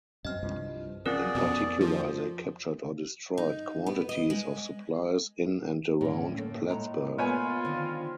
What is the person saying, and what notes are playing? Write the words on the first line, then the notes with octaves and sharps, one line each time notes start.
In particular, they captured or destroyed quantities of supplies in and around Plattsburgh.
F#2 C4 D#5 F6
C2 G2 F3
F3 C4 C#4 G#4 A#4 D5
F2 B2
F3
D#4
B3
D#5
G#3
A2 D3 C#4
A3 A#3
A2 G#3 A#5
G#3 A#3 B3 F4 C#5 G#5
D3 D#3 F3 C4